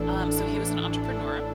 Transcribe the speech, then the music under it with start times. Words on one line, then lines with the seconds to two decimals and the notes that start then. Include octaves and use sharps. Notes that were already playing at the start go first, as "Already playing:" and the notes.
Um, so he was an entrepreneur
Already playing: A1 A2 E3 D4 A4
0.36 A1 A2 E3 D4 A4
1.06 A1 A2 E3 D4 A4